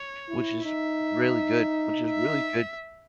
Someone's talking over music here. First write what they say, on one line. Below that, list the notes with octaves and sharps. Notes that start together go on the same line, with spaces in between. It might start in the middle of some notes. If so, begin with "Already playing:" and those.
which is really good which is really good
Already playing: C#5
E4
D#4 E5
E5